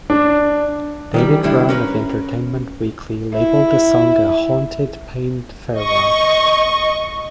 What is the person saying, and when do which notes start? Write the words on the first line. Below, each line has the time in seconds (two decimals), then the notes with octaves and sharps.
David Browne of "Entertainment Weekly" labeled the song "a haunted, pained farewell".
0.10 D4
1.14 D#3 E3 G3
1.43 D3 G3 D4 E4
1.69 C#4 A#4 B4
3.33 E4
5.78 D#5 C#6